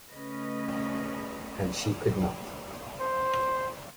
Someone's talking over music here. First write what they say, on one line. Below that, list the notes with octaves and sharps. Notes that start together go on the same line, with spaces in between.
And she could not.
C#3 A3 C#4 B4 D#5
C5